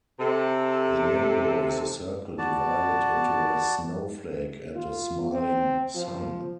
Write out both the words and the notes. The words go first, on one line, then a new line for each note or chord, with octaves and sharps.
The logo is a circle divided into a snowflake and a smiling sun.
C3 A4
F#4 D5 A5
F4
C4
F3